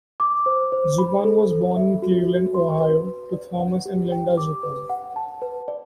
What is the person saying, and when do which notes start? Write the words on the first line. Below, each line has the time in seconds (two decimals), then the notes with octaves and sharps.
Zupan was born in Cleveland, Ohio, to Thomas and Linda Zupan.
0.20 D6
0.46 C5
0.72 C5
0.98 B5
1.24 A4
1.51 A4
1.76 E5
2.02 F#4
2.28 F#4
2.55 C6
2.81 B4
3.07 B4
3.33 D5
3.59 F#5
3.85 G4
4.12 G5
4.37 D6
4.63 B4
4.90 F#5
5.16 A5
5.42 B4
5.68 D5